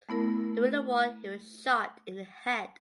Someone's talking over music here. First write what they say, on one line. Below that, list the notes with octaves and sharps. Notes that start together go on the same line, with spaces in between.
During the war he was shot in the head.
A3 B3 E4 A#4